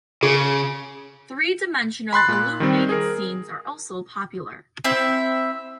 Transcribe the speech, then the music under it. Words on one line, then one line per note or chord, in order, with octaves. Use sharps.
Three-dimensional illuminated scenes are also popular.
C#3 G#4
B5 C6 F#6 A6
A#2 F#6
D#3 G3 C4
G#4 A#4
C4 E4 E5